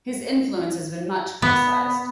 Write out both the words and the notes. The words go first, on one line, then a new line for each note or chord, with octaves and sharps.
His influence has been much criticized.
B3